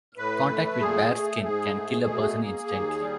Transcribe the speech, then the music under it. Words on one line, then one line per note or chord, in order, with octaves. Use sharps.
Contact with bare skin can kill a person instantly.
A2 B4
A3
A#2 G#4
A3
G#2 G#4
A3
B2
A#3
D#2
G3